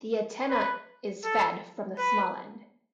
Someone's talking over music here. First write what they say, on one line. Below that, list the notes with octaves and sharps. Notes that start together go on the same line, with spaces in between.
The antenna is fed from the small end.
B4
A4
B4